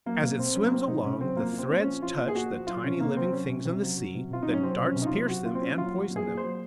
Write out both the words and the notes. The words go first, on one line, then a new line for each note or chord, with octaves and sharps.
As it swims along, the threads touch the tiny living things in the sea, the darts pierce them and poison them.
F#3 A#3
C3 A#3
C3 C4
F#3 C#4
A#3
F#3 C4
C3 D#4
C3 C#4
F#3 C4
F3 A#3
A#2
C4
A#2
F3 C#4
F3 F4
A#2
G#4
A#2 F#4
F3
F#3 F4
C3 C#4
C3 A#3
F#3 C4
F#3 C#4
C3
C3
F#3
F#3
C3
C3 F4
F#3 D#4
C#4
F#3 C4
C3
C#4
C3
D#4
F4
F#3
F#3 F#4
A#2 F4
C4
A#2 C#4
F#3 F4
F#3 F#4
A#2
G#4
A#2
C5
F#3